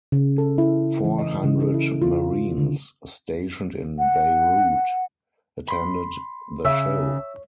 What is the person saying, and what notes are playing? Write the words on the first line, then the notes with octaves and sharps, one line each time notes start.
Four hundred Marines stationed in Beirut attended the show.
C#3
A4
E4
E3
D#5
C#3
A4
E4
F4
D3
F#5
B5 C6
C#3 C#5 E5